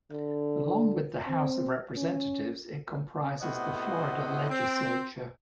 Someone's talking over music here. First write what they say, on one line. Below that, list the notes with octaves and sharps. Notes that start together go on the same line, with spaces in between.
Along with the House of Representatives, it comprises the Florida Legislature.
D3
C4
C#4
A2 C3 B3 F#4 C5 D#5
C4